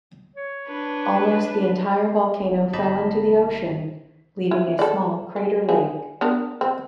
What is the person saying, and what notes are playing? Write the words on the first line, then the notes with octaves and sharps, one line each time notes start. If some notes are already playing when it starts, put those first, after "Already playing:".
Almost the entire volcano fell into the ocean, leaving a small crater lake.
C#5
D4 B4
G1 G3 D#4 D#5 A5 B5
E4
A4 D5
G#3
D3 G3 G#4
B3 D4 A#4
C4